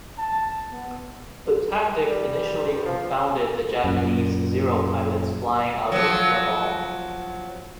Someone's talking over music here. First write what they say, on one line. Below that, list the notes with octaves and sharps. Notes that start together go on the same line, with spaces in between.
The tactic initially confounded the Japanese Zero pilots flying out of Rabaul.
A5
B3
G3
G2
F3
F#2 A#2
F3 F#3